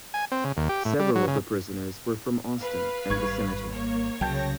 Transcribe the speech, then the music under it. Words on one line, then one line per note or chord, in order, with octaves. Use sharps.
Several of the prisoners were from Austin and vicinity.
G#5
C4
C#3
D#2
G4
A2
G3
F#3
C#3
B4 F5
G#1 G3 C#6 G#6
A#3 C#5
C2 C#3 F#3 C#4 G5 A5 G6 A#6